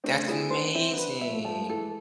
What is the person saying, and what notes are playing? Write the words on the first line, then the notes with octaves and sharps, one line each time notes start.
That's amazing.
A3 C4 D4
C4 E4 G#4
B3 D4 C5
C4 E4 E5
B3 D4
B4
E5
F3 A3
F3 A3 A5
E3 G#3 A4